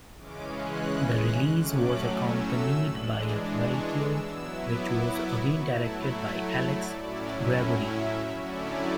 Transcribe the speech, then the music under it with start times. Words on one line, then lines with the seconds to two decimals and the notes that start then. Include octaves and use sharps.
The release was accompanied by a video which was again directed by Alex Gregory.
0.18 C#3 E3 G#3 C#4 D6
0.52 F#6
1.20 F#6
1.54 A2 F#3 A3 C#4 D6
2.23 E6
2.92 E3 G#3 D4
3.60 C#6
3.94 E6
4.28 F#3 B3 E4 E6
4.63 D6
4.96 D6
5.31 C#6
5.65 F#3 A3 E4 A5
5.99 B5
6.34 A5
6.69 D5
7.02 A2 F#3 C#4 E4 D5
7.71 E5
8.05 E5
8.39 D3 F#3 A3 C#4 E4 D5